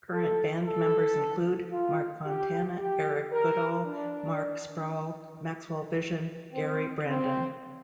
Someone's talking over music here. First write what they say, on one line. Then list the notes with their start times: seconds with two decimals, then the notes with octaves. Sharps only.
Current band members include: Mark Fontana, Erik Godal, Mark Sproull, Maxwellvision, Gary Brandin.
0.11 A4
0.65 A4
1.72 F4
2.25 G4
2.78 G4
3.32 A#4
3.86 D4
6.53 C4
7.07 C4